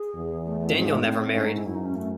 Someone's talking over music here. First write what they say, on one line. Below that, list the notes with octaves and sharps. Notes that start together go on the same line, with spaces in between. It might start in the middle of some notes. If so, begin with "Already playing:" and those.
Daniell never married.
Already playing: G#4
E2
A3
A3
G#2 C4
A3
A2 C4
G#2 C#4
D#4
E4
F#2 E4
D#4
C#4
A3